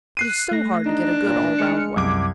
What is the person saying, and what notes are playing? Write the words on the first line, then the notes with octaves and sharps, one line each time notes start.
It is so hard to get a good all-round one.
F#6 C7 D#7
A3 A#6
D4 D#4
A#2
G#3 F6 C#7
C2 F#2 D6 G#6